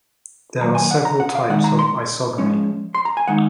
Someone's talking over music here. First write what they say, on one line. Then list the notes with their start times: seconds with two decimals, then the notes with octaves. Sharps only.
There are several types of isogamy.
0.60 D#3 F#3 A#3 A#5
0.75 G#5
0.91 F#5
1.05 A#5
1.20 F#5
1.35 F5
1.49 D#3 G#3 D#4 F#5
1.64 A#5
1.79 C6
2.38 F3 G#3 C#4
2.95 C6
3.05 A#5
3.17 G#5
3.28 D#3 G#3 D#4 F#5